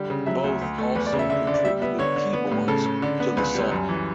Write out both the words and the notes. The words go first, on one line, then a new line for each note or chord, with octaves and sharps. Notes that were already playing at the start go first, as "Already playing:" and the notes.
Both also contributed keyboards to the song.
Already playing: D3 G3
C#3
F#3 E5
D2
D2
A3
E2 B4
D5
C#3
E5
D3 E5
D3
D5
G3 E5
B3 E5
D3 C#5
D3
B3
A2
C#3 A4
C#3
D3
B3
C#2 B4
G3
F#2
E3